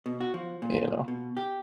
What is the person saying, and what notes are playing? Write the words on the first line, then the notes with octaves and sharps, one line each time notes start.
you know?
B2
F#4
F3
A#2
B2
G4